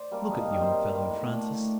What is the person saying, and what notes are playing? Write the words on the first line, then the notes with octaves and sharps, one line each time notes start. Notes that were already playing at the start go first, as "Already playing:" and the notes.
Look at yon fellow, Francis!
Already playing: C5 D5
G3 A#3 D4
C3 D#5
F5
D#3 G3 D#5
C5
C3 D5
D#3 G3 C5
A2
A3 D4
A2